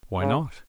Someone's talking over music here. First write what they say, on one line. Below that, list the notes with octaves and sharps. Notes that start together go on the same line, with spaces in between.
"Why not?"
C#3